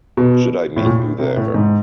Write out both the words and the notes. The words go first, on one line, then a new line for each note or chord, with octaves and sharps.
Should I meet you there?
B2
A2
A#2
C3
A2
G#2